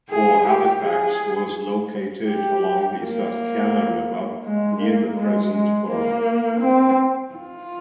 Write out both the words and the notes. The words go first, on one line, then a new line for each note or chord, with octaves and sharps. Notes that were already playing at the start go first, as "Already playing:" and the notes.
Fort Halifax was located along the Susquehanna River near the present borough.
G#4
G4
G#4
G4
A#3
G#3
A#3
G#3
G#3
A#3
C4
F4